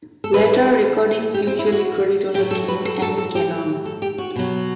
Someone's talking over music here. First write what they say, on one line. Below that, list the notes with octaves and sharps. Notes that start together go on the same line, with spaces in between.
Later recordings usually credit only Kent and Gannon.
A4
A2 E3 G3 B4
G4
C4
E4
F#4
A2 F#3 G4
A4
B4
A4
A4
A4
G4
A4
G4
F#4
B2 F#3